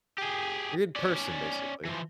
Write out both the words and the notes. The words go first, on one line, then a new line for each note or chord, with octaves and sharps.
A good person, basically.
G4 G#4
C#4 D5
E3 F3